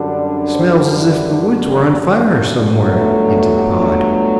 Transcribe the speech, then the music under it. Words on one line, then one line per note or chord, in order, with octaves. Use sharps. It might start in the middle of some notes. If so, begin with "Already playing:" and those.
"Smells as if the woods were on fire somewhere," hinted Pod.
Already playing: F#2 D3 G3 D4
D5
C5
E4
D4
E4
G1 G2 D3 F#3 A3
E4
F#4
G4
B4